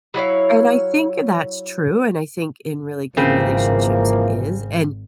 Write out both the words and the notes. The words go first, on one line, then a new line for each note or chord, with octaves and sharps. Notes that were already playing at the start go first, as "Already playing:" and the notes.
And I think that's true, and I think in really good relationships it is, and
F#3 E4 C#5 F5
G#1 C#3 E3 F3 A#3 C4